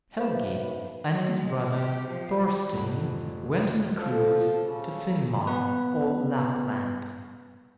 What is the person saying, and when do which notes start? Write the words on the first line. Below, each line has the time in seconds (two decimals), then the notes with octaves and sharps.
Helgi and his brother Thorstein went on a cruise to Finnmark, or Lapland.
0.17 B1 B4 C5 E5 F5 B5
1.07 F#3
1.38 G#3
1.76 G4
2.05 F3
2.74 F1
3.98 F3 A4 D5 A5
4.65 C#3
5.47 B3 B4